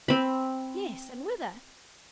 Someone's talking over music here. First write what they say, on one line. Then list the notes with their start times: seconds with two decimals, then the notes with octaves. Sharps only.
Yes, and whither?
0.08 C4 B5